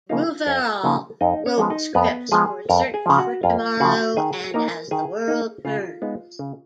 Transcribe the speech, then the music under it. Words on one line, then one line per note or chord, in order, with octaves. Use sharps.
Rouverol wrote scripts for "Search for Tomorrow" and "As the World Turns".
C#3 F3 A#3 D#4 F4 F5
F2
C#3 F3 A#3 D#4
F2 D#4 D#5
C#4 C#5
F3 G#3 B3
D#4 D#5
F2 B3 B4
F3 G#3 B3 G#4 G#5
F2 A#4 A#5
G#4 G#5
C#3 F3
F#4 F#5
F2 F4 F5
C#3 F3 F#4 F#5
D#3 G#4 G#5
G#5
A#3 D#4 A#4 A#5
D#3 G#4 G#5
A#3 D#4
C#3 F4 F5
G#3 B3 D#4
C#3